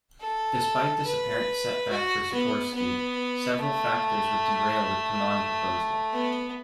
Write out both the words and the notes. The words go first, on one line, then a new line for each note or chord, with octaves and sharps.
Despite this apparent setback for Sikorsky, several factors would derail the Kaman proposal.
A4
B4
F#4
B3
B3
A3
B3